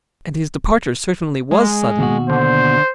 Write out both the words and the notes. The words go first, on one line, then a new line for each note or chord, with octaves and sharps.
And his departure certainly was sudden.
G#3
D#2 B2 F#4
D3 C5